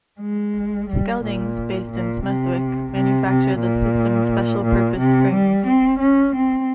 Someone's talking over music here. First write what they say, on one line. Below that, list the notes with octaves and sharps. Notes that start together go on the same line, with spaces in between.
Skeldings, based in Smethwick, manufacture the system's special purpose springs.
G#3
G3
A#2
A#2
C3
C3
C3
A#2
A#2
C3
G3
C4
C#4
C4